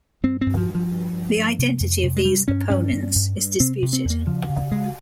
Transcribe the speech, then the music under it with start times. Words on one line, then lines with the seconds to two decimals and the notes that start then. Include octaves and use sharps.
The identity of these "opponents" is disputed.
0.23 G2 C4
0.41 G2 C4
0.57 F3
0.69 G2
0.75 F3
0.91 G2
1.13 G2
1.37 G2
1.59 C3
1.80 F2
2.03 C3
2.17 G#3
2.25 G2 G3
2.48 G2 C#4
2.70 G2 C#4
2.93 G2
3.15 G2
3.38 G2
3.60 C3 C4
3.82 C3
3.93 C4
4.05 E2
4.10 A#3
4.26 C#3 F3
4.49 C#3
4.71 C#3 G#3